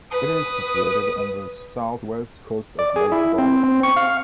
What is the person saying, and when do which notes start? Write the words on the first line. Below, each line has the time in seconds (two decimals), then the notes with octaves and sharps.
It is situated on the southwest coast of Lake Garda.
0.11 B4 D#6
2.79 D5
2.96 G#4
3.12 E4
3.38 C4
3.64 C4
3.83 C#6
3.96 F5